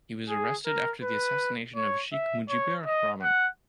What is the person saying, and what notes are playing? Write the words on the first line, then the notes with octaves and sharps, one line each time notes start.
He was arrested after the assassination of Sheikh Mujibur Rahman.
G#4
A#4
B4
C#5
E5
C#5
D#5
F#5